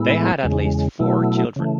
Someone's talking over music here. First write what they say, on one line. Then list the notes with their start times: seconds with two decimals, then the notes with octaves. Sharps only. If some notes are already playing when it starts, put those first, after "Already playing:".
They had at least four children.
Already playing: A2 G#3 B3 E4
0.43 E2 C#3 G#3
1.00 B2 F#3 A3 E4
1.56 C#3 E3 A3